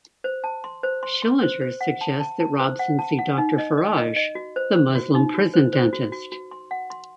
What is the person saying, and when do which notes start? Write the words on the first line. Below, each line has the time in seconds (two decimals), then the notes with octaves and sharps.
Schillinger suggests that Robson see Doctor Faraj, the Muslim prison dentist.
0.24 C5
0.44 A5
0.64 C6
0.83 C5
1.03 C6
1.22 C6
1.43 C5
1.61 C5
1.81 F#5
2.01 A5
2.20 A5
2.40 A5
2.60 C5
2.79 F#5
2.99 A5
3.19 F#5
3.38 D#4
3.58 D#5
3.77 D#5
3.97 D#5
4.16 D#5
4.35 F#4
4.56 C5
4.76 C5
4.95 F#4
5.15 D#4
5.34 F#4
5.54 C5
5.73 C5
5.93 F#4
6.12 F#4
6.32 F#4
6.51 C6
6.71 F#5
6.90 C6